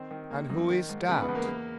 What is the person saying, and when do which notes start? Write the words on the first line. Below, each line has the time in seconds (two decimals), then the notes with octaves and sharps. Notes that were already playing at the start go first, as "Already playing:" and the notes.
And who is that?
Already playing: D#3 C4 C5
0.11 D#3
0.30 A#3
0.50 F#2
0.70 D#3
0.89 G#2
1.09 C#3 B3 B4
1.22 B3 B4
1.29 E2
1.35 A#3 A#4
1.48 A#3